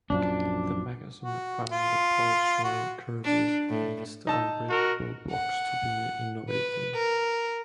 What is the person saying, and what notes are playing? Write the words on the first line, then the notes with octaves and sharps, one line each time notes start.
The magazine found the parts where Kirby eats the unbreakable blocks to be innovative.
A#1 F#2 F3 D4
F#4
F4
F#4
D4
A2
D#4 A5 E6
F#4 A#4
F#5
B4
A#4